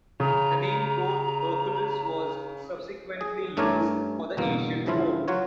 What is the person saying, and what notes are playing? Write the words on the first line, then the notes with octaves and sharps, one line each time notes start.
The name Port Hercules was subsequently used for the ancient port.
C#3 A#5
G#4
G2 A3 C#4 A#4 D5 G#5
G1 E2 G2 B2 A#3
G2 C#3 E3 F3 E4 F4
F#3 F4 F#4 C#5